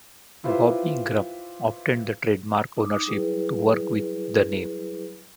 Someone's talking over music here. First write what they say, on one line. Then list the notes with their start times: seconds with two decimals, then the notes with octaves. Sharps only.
Bobby Ingram obtained the trademark ownership to work with the name.
0.44 E4 F4 G4 B4 C5
2.77 D#4 D6 D#6
3.06 F#3 G3 E4 G#4 B4